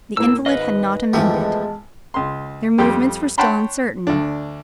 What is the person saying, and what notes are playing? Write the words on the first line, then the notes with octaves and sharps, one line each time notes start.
The invalid had not amended; their movements were still uncertain.
A2 A#3 E6
G#1 G#2 B4 D#5 F5
G#1 E2 F3 G#3 A3 G4 A5
C#2 C6
F2 G3 G4 G5 C6
C#5 F#5 G5 A5 B5 C6
D2 D4